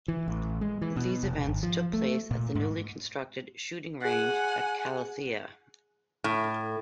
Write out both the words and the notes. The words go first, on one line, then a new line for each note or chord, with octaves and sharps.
These events took place at the newly constructed shooting range at Kallithea.
E3
A1
G#3
E3
B2
F1
G#1
F3
A3
A#2
G#2
G#4 F#5 G#5 F#6
A2